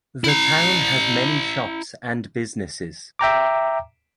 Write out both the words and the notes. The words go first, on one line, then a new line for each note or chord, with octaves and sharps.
The town has many shops and businesses.
E4 A#5
E5 G5 A#5 D6